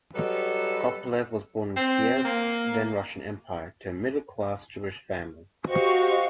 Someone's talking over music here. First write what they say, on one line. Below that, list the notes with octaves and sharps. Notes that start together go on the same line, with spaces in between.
Kopelev was born in Kiev, then Russian Empire, to a middle-class Jewish family.
F#3 G3 A4 B4 D#5
C4
A#3
F#4 G4 C5 D#5 F5 C#6